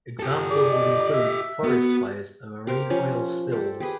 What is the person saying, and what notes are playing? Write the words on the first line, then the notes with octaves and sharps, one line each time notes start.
Examples would include forest fires and marine oil spills.
G4 A4
G#4 D5
D#5
E5
B3 F#4
G4 A#4 C5 F5
F3 C#4 F4
G4 A4 C5
G4 G#4 B4